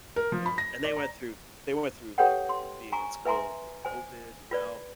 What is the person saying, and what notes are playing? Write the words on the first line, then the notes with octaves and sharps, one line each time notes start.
You know, and they went through they went through, like, being in school during COVID, you know,
A#4
F3
B5
A#6
D5
A#5
G4 A4 B4 C#5 F#5 G5
C6
G#5 A#5 C#6
B4 E5 G#5 A#5 C6
C5 G#5
F4 B4 D5